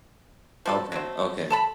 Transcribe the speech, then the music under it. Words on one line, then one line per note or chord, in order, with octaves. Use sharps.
Okay, okay.
F3 F#3 A4
F#3 A3 C4
A4 A5 B5